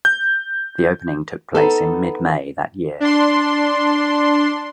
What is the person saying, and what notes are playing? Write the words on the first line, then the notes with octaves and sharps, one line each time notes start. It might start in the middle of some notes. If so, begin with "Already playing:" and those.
The opening took place in mid May that year.
G6
B3 D#4 A4
D4 C6